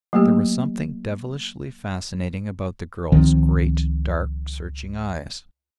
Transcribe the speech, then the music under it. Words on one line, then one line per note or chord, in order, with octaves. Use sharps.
There was something devilishly fascinating about the girl's great, dark, searching eyes.
F#3 A3 A#3 G4
C#2 D#3 F3 C4